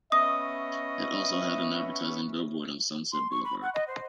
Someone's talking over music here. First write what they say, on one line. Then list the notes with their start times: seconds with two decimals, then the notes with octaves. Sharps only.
It also had an advertising billboard on Sunset Boulevard.
0.12 B3 C#4 D#5 E5 D#6
3.12 C6
3.31 C#6
3.44 B5
3.61 F#5
3.74 D#5
3.87 C5